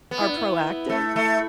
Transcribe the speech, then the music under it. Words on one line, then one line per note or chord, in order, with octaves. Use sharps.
are proactive
B3
E4
D4
E4
A3
A3